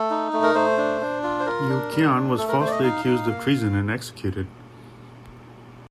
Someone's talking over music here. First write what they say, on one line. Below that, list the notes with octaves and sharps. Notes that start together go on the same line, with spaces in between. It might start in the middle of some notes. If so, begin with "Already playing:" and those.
Yu Qian was falsely accused of treason and executed.
Already playing: A3 A4
D#4
A3
A#4
A3 C5
D4
D4
F4
C5
F4 A#4
D4
G3
D4
A3 A4
A#4
A3 C5
D5
D#5
D#4 F5
D#4
A#3